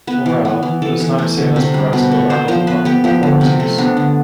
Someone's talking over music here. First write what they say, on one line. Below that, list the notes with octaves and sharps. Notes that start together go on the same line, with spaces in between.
Morrell, was now seen as piratical and on the run from authorities.
B3 B4
E3
B3
E3
E3 A4
E3
A3
D3
C3
G3
B2
A3
B3 C5
F3 C5
B3 B4
B3 G4
F3 G4
D3
C3
A3
B3 D4
D3